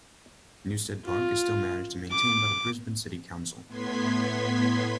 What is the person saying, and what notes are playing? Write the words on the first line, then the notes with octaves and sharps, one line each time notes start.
Newstead Park is still managed and maintained by the Brisbane City Council.
F4
D6
A2 B3 C6 G#6 B6